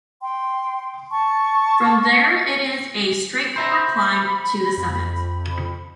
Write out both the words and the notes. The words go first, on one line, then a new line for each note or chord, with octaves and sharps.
From there it is a straightforward climb to the summit.
G5 C6
A5 C#6
C5 E5 A#5 B5
F2